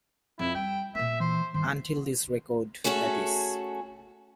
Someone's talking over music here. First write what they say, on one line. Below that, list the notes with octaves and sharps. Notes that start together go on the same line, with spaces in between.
Until this record, that is.
F2 E4
G3 G5
A#2 A#3 E5
E3 C5
G2 D#3 C5
A3 C#4 F#4 G#4 A4